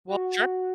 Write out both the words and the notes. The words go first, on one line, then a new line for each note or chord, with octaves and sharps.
Well, sure.
F#4